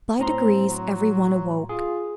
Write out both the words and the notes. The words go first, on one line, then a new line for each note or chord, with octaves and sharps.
By degrees every one awoke.
A2 C4 A#5 C6
F#3
F4 G#4